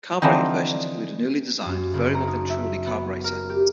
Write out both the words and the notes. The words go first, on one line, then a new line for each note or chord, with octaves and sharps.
Carbureted versions include a newly designed, variable-venturi carburetor.
D3 E3 F3 C4 D#4
F#2
F#1
A#5
D#4
E5
B3
A#4
G4